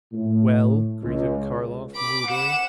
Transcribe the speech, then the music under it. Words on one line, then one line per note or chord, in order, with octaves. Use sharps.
"Well?" greeted Karlov, moodily.
A2
C#2
B5 D6
F#5 E7